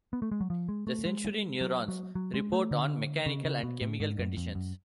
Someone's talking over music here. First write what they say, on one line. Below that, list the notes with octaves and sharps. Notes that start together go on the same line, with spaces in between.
The sensory neurons report on mechanical and chemical conditions.
B3
A3
G#3
F#3
F3
G#3
A3
G#3
F#3
F#3
F#3
G#3
A3
D3
C#3
C#3
B2
A2
G#2
F#2
F2
F#2